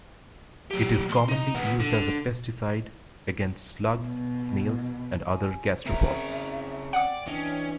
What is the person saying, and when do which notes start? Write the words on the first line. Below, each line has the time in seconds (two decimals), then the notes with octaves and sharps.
It is commonly used as a pesticide against slugs, snails, and other gastropods.
0.71 F#3 G4
1.09 D#2 C6
1.28 D#4 D#5
1.55 D#2 B3
1.80 D3
3.98 B2
5.28 G#5
5.86 C#3 C4 C#4 A#4 E5
6.93 D5 F#5 G5 D6
7.27 E3 C#4 D4 D#5